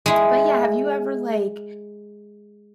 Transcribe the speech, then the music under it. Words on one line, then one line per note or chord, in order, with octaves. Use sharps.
but, yeah, have you ever, like,
G#3 E4